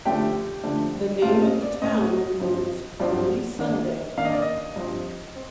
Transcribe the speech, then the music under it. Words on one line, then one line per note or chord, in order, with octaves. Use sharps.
The name of the town means "Holy Sunday".
D3 F3 A3 D4 G4 G5
D3 F3 A3 D4
A2 A3 C4 F4 F5
D#5
D5
A2 A3 C4 D#5
G2 F3 C4
G2 F3 C4 D5
D#3 A#3 D4
D#3 A#3 D4 F5
D#5
D5
D#5
G2 F3 C4
C4